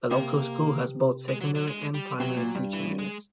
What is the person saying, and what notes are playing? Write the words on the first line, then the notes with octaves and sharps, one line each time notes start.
The local school has both secondary and primary teaching units.
C3 A#3
G#3
F#3
F#3
G#3
G3
C3 F#3
A#2
G2
E3
G#3